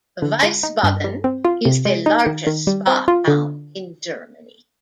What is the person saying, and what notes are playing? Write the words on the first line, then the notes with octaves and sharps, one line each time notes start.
Wiesbaden is the largest spa town in Germany.
D3
G#3
D#4
G2
G3
C4
F4
C3
G#3
D#4
D#3
D#3
G3
C4
F4
D3